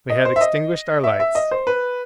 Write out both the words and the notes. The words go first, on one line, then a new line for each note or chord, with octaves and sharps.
We had extinguished our lights.
D#5
C5
E5
D#5
E5
E5
D#5
C5
B4